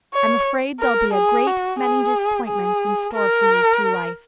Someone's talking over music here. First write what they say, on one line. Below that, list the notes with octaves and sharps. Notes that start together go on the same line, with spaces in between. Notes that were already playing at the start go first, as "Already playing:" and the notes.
"I'm afraid there'll be a great many disappointments in store for you through life."
C#5
A#4
G#4
F#4
G#4
G#4
A#4